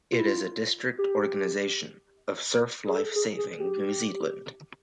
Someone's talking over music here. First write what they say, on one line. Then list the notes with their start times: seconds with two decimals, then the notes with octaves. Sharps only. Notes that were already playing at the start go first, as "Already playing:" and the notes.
It is a district organization of Surf Life Saving New Zealand.
0.12 F4
0.19 E4
0.27 F4
0.99 G4
2.86 G#4
2.95 A4
3.16 G#4
3.38 G#4
3.60 G4